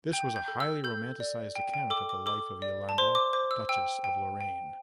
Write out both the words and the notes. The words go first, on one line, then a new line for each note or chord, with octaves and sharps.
This was a highly romanticised account of the life of Yolande, Duchess of Lorraine.
G5 G6
G6
A4
E6
A4 G6
D5
G5
G5
A4 D6
D6
A4 D6
D5
A5
C5 C6
D6
C5 D6
E6
G5 E6
G5
G5